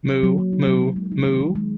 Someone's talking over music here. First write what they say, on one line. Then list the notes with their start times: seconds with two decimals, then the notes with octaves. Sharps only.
Moo Moo Moo!
0.09 F#3
0.23 F#3
0.38 A#3
0.53 D#4
0.68 F#3
0.82 F#3
0.96 G#3
1.12 D#4
1.26 D#3
1.40 D#3
1.55 G#3